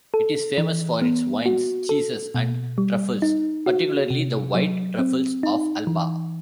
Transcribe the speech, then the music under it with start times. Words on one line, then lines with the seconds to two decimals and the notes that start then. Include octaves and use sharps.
It is famous for its wines, cheeses, and truffles-particularly the white truffles of Alba.
0.14 A4
0.58 E3
1.02 B3
1.46 F#4
1.89 A4
2.35 B2
2.78 G3
3.22 D#4
3.66 F#4
4.10 C3
4.55 F#3
4.99 C4
5.43 D#4
5.87 E3